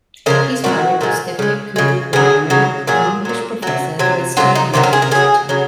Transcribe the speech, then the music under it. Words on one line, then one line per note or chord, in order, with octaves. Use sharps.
He is married to Stephanie Kuduk Weiner, an English professor at Wesleyan University.
C#3 F3 G#3 A#4
A#2 F3 G#3 F#4
A#2 F3 G#3
C#3 G#3
C#3 G#3
C#3 F#3 G#4
C#3 F#3
A#2 F#3 G#4
A#2 F#3
C3 F#3 F#4
C3 F#3
C3 D#3 F#3 F4
D#4
C3 D#3 F#3 F4
A#4
G#4
A#4
C#3 F#3 G#4
C#3 F#3